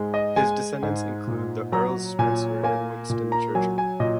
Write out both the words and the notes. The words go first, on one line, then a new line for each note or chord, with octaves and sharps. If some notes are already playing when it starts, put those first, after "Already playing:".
His descendants include the Earls Spencer and Winston Churchill.
Already playing: G#2 G#3
D#5
G#3 G#5
G#2
A#2
F#3 A#5
A#2 G#5
A#3 G#5
A#2
A#5
F#3 G#5
G#5
A#2 D#5